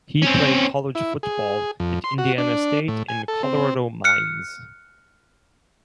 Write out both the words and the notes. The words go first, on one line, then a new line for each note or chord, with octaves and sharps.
He played college football at Indiana State and Colorado Mines.
C4 C#4
E4
G#4
F2
C6
F#4
D4
A2
G#5
A4
C4
F6 F#6 C#7